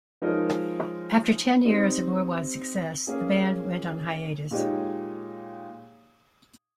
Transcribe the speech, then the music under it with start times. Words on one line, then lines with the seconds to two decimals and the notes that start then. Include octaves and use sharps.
After ten years of worldwide success, the band went on hiatus.
0.22 F3 G#3 D#4 A#4 C#5
1.64 G3 C4 D#4
3.07 A#3 C#4 G#4
4.51 A#2 G#3 D#4 G4 C#5